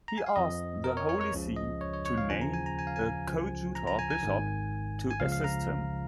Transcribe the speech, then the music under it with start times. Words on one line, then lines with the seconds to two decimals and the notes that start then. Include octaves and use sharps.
He asked the Holy See to name a coadjutor bishop to assist him.
0.08 A#5
0.18 G#5
0.26 F5
0.36 F2 F3 D#5
0.84 A#4
0.97 C#5
1.09 C#5
1.21 C#5
1.33 C#2 C#3 F3
1.56 D#5
1.81 C#5
1.93 C#5
2.05 C#5
2.18 F5
2.30 D#2 C#3 F3 G#5
2.41 A#5
2.54 G#5
2.66 A#5
2.79 G#5
2.87 F5
2.96 G#5
3.26 C#2 C#3 F3
3.75 A#5
3.87 A#5
3.99 G#5
4.10 G#5
4.23 G#1 G#2 D#3
5.11 G#5
5.20 C#2 C#3 F3 F5
5.32 F5
5.44 A#5